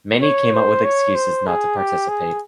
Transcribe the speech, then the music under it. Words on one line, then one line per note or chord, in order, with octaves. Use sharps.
Many came up with excuses not to participate.
C#5
C5
C#5
C5
G#4
G4
G#4